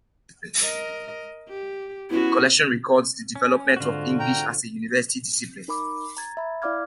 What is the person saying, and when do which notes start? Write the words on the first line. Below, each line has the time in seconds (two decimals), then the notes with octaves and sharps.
The collection records the development of English as a university discipline.
0.61 A#4 D#5
1.48 G4
2.10 B3 C#4 E4 F#4
3.36 C#4
3.76 G#2 D3 F4 F#4
4.19 G5 A#5
5.68 D#4 A#4 B5 D6
6.17 A#5 G#6 A6
6.37 E5 B5
6.62 E4 D5 F5 D6 F6 G#6